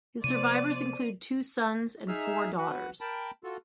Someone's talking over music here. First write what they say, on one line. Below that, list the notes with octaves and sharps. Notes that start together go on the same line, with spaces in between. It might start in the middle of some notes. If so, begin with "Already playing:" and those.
His survivors include two sons and four daughters.
C3 F3 B3 C5 D5 D#7
D#4 G#4 E5 E6 F6
F#4 B4 F#5
A#4 G5 A5 B5
F4 F#4 A4